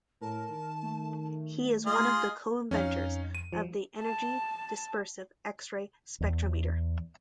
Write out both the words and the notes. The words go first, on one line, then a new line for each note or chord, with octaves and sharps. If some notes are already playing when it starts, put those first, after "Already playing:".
He is one of the co-inventors of the Energy dispersive X-ray spectrometer.
A2 A#4 A5
D#3
A3
F4 G#4 D#5 C6
F2 C#4 D#4 F5
D#7
F3
A5
E2